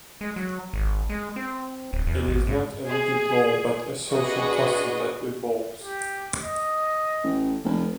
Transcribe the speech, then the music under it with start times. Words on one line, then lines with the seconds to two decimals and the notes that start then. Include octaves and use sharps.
It is not a rigid law but a social custom that evolves.
0.21 G#3
0.36 F#3
0.73 G#1
1.10 G#3
1.36 C4
1.93 D1
2.07 E2
2.28 G#1
2.47 G#2
2.86 G#4
4.10 D4 F#4 G#4 B4 D#5
5.83 G4
6.42 D#5
7.24 A1
7.64 F1